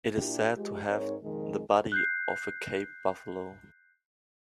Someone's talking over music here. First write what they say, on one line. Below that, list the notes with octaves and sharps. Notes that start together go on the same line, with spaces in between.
It is said to have the body of a cape buffalo.
A#2 D4 E4 G4
F3 G#3 G4
G#2 C4 D#4 A#4 C#5
F2 A#2 D#3 F3 G#3
F#6 G6 C7